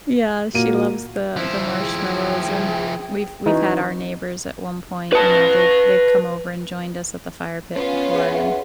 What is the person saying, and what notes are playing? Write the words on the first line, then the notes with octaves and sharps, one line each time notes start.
Yeah, she loves the the marshmallows, and we've we've had our neighbors at one point, you know, they've they've come over and joined us at the fire pit before, and,
A#2 A#3 F#4 D#7
F3 E4 C5
G#4 G5
E3 C#4 D#4 F#4
B4 A5
B3 C#4 F4
G#4 E5 F#5